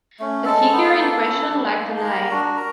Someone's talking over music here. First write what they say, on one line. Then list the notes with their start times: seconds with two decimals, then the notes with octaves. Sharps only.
The figure in question lacked an eye.
0.19 A3 C#4
0.45 G#3 A4 A5
0.71 B3 D#4
0.99 A#3
1.24 C#4 E4
1.50 G3
1.77 A#3 D#4
1.97 A5
2.03 A#3 A#4 A#5
2.31 D4 F#4
2.57 A#4 A#5